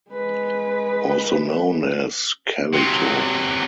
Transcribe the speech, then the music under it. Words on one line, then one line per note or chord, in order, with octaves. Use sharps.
Also known as: Calito.
G#3 B4
C3 F#3